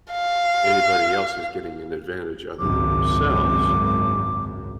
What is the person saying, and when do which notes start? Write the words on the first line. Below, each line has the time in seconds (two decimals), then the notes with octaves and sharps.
anybody else is getting an advantage other than themselves.
0.12 F5
2.59 G#1 C#2 F#2 D6